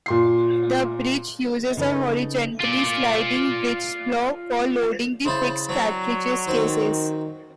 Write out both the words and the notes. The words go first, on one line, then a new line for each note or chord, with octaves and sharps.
The breech uses a horizontally sliding breechblock for loading the fixed cartridge cases.
A#2 C6 C7
C#3 D#4 A4 B4
F4 D5
C#3 E4 C5 A5
F#3 C4 D4
D#3 C4 F#4 C5